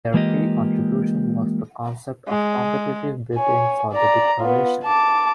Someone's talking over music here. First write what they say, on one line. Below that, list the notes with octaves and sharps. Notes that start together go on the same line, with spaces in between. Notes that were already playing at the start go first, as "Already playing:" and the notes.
Their key contribution was the concept of competitive bidding for the declaration.
E3 G#3 A#3 F4 G4 D#5
G#3
C#5 G#5
D5 A#5
B3 F4
A5 D6